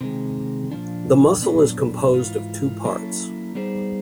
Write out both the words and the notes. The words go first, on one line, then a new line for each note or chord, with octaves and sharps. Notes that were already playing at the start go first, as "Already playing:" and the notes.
The muscle is composed of two parts.
C3 D#3 G#3
A#2 F3 A#3 D4
A#2 F#3 B3 D4
G#2 E3 F4
F#3 A#3 C#4 E4 A4
G3 B3 D#4 G#4 C5